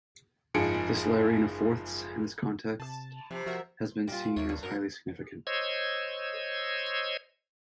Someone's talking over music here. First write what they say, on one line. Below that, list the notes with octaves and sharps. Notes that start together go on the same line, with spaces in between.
This layering of fourths in this context has been seen as highly significant.
F#1 G#2 F3 G#4 C#7 D7
C3 A5
C3 F3
F3 F#4 A#4 E5
A#2 G3 F4
D#2 A3 A#3 C#5
G2
F#2 F#3 A#4
C5 C#5 D#5 E6 G#6